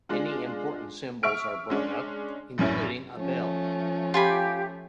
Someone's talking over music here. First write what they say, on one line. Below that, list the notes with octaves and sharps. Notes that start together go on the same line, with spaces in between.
Many important symbols are brought up, including a bell.
G#3 D4 F4
E5 C#6 F6 D7
G#3 C#4 D4
A#1 F#2 A2 C#4 E4
F3 A3 C#4
F4 G4 G#5 B5